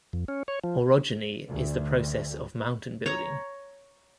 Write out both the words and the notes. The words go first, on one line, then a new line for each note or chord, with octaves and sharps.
Orogeny is the process of mountain building.
F2
C#4
C#5
F3
D2
C#5 A#5